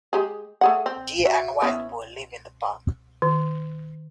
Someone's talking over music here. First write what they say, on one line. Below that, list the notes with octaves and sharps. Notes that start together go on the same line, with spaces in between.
Deer and wild boar live in the park.
G#3 G4 G#4
A3 G#4 F#5
C4
F#4 E5
B3 C#4 E4
D#3